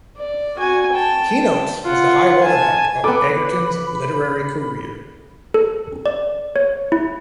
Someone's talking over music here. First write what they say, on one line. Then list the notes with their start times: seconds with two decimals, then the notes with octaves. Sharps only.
"Keynotes" was the high-water mark of Egerton's literary career.
0.17 D5
0.57 F#4 G#5
0.93 G5 A5
1.84 F4 F#5
2.43 G#5 A5
3.04 B3 A4 B5 D6
5.54 A4
6.06 D5
6.56 C#5
6.92 E4